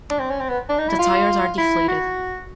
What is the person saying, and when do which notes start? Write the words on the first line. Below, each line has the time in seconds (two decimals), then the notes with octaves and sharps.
The tires are Deflated.
0.10 D4
0.20 C4
0.30 C#4
0.40 C4
0.49 B3
0.69 D4
0.78 D#4
0.88 E4
0.99 F4
1.58 E4
1.88 F#4